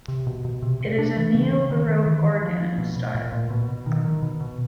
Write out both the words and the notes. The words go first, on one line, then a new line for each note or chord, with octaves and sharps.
It is a neo-baroque organ in style.
C3
B2
B2
C3
C3
D4
E3
C#3
C#3
D#3
D#3
E3
E3
F3
F3
B2
B2
A#2
A#2
B2
B2
D#3
D#3
B2
B2